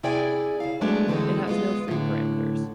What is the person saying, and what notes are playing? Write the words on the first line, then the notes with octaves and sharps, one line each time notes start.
It has no free parameters.
C3 E4 G#4 D5 G5 G#5
C#3 F5
F#3 G#3 A3 B3 D4
D3 E3 G#3 C4 G4 A4
G#3 B3 F4
A2 D3